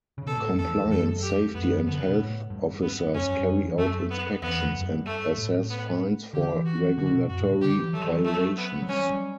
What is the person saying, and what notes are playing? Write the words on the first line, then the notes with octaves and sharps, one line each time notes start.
Compliance Safety and Health Officers carry out inspections and assess fines for regulatory violations.
C#3
B2 A4
A2
F#2
E2 A4
E2
F#2 A4
G4
F#2 B3
D3 B3
C#3
B2
A2
G2
B3
F#2 C#4
F#2
F#2
F#2
E2
F#2 A3
B3
E2 B3
F#2
G2
A3
A2
B3
D3 G4
E3
F#4
D3 F#4
B2
F#2 F#4
A2
C#3
D3 G4
E3
F#3 A3
E3
F#3
F#3 A3
B3
F#3
G3 C#4
F#3
G3